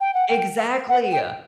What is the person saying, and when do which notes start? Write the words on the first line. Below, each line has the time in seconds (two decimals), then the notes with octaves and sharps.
Exactly, uh!
0.01 G5
0.14 F#5
0.28 G5
0.89 F#5
1.12 G5